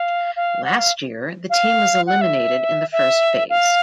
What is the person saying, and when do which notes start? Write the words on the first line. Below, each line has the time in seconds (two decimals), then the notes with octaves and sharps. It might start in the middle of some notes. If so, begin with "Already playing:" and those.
Last year the team was eliminated in the first phase.
Already playing: F5
0.36 F5
0.65 F#5
0.79 F5
1.50 F5
2.07 F#5
2.21 E5
2.92 E5
3.50 F5